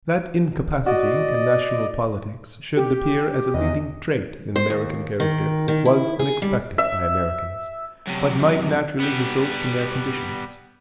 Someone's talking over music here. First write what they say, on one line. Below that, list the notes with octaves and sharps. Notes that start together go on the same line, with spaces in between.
That incapacity in national politics should appear as a leading trait in American character was unexpected by Americans, but might naturally result from their conditions.
F#4 D5 D#5
G4
E2 D#5
C5
D#2
D#3
D#3
E4
G#4
G3
E5
F#2 C3
G3 B3